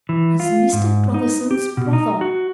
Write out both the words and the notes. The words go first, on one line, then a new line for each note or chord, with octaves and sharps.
"As Mr. Brotherson's brother."
E3
F4
G#2
D#4
G4
B2
D#4
F#4